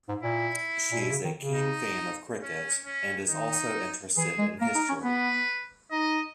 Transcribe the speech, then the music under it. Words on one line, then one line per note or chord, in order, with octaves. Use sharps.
She is a keen fan of cricket, and is also interested in history.
G#2
A#2 E4
A#2
B2
C#3
D#3
C#3
D#4
C#4
C#4
D#3 D#4
E3 G#4
G#3
A#3 A#4
D#4
C#4
B3 B4
D#4 D#5